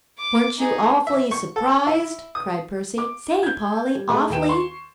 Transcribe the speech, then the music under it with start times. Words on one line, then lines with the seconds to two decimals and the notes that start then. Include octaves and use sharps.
"Weren't you awfully surprised?" cried Percy; "say, Polly, awfully?"
0.19 D6
0.58 D#4 G#4
1.07 E5
1.31 C#6
1.56 A4
1.87 E4
2.35 D#6
2.98 D6
3.43 G6 G#6
3.95 G3
4.10 A3 G#4 A4
4.30 D#2 B3 G5 E7
4.49 C6 C#6